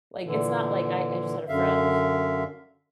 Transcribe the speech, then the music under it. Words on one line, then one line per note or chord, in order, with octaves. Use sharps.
Like, it's not, like I I just had a friend,
A#2 D3 E3
F#2 D3 E5 F5